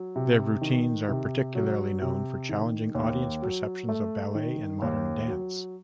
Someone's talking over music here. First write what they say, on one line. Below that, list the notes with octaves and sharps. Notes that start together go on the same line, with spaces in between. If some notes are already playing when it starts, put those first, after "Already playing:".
Their routines are particularly known for challenging audience perceptions of ballet and modern dance.
Already playing: F#3
C3
D#3
C3
F#3
C3
D#3
D#2
F#3
A3
D#3
D#2
F#3